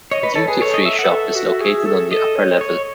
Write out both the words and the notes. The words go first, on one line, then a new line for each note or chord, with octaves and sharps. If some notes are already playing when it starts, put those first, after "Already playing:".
The duty-free shop is located on the upper level.
C#5 D#5
B4 D#5
A4 C#5
G#4 B4
A4 C#5
D#5
E5
B4 F#5
A4 E5
F#4
G#4
A4
A4 D#5
C#5
C#5